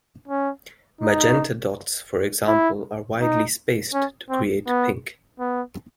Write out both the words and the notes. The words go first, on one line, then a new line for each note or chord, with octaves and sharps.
Magenta dots, for example, are widely spaced to create pink.
C#4
D#4
E4
D#4
C#4
C4
B3
B3